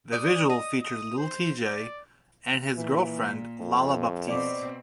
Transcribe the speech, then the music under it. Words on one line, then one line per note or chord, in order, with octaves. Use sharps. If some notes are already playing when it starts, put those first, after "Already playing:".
The visual features Lil Tjay and his girlfriend Lala Baptiste.
D5 D#6
D#5 D#6
D#6
C5
D5
A#2 E3
F2
B2 C4 D5 D6